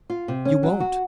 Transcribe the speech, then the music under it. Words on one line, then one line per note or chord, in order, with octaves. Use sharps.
"You won't!"
F4
C3
C#4
F#3
F#4